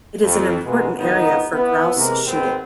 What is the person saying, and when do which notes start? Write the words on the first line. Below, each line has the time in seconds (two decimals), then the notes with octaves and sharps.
It is an important area for grouse shooting.
0.23 F2
0.64 B2 E3 G#3 A#3 B3
0.99 G1 D#3 B3 D#4
1.54 B3 E4
1.95 C3 E3 G#3 A#3
2.26 G#1 D#2 B3 C4